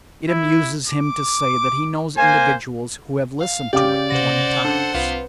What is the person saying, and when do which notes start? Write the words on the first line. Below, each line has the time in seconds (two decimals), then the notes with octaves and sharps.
It amuses him to say that he knows individuals who have listened to it twenty times.
0.29 E4
0.88 D6
2.17 A#3 C5 G#5
3.41 F5
3.73 C#3 G4 D5 F5 G5 D6
4.10 C3 C5 F#5 A#6
4.65 D4 A4
4.94 C2 F4 B4